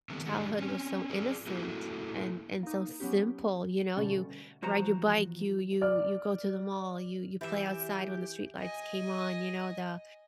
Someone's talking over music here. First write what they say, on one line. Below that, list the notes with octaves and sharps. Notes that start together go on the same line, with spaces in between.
childhood was so innocent, and and so simple, you know, you ride your bike, you you you go to the mall, you you play outside when the street lights came on, you know, the
D3 D#3 G3 A3 B3 C4
A2 D3 D#3 G3 D4 F#5
C4 C#4
F4 G#4 B4 D5
A3 A#3 E4 F#4
A#3 D#4
F#3 B3 C#4 G4
B2 D3 G3 A3 C#4
E2 F3 F#4 C5 A#5
D5 F6
E3 G4 E5
D#5 G#5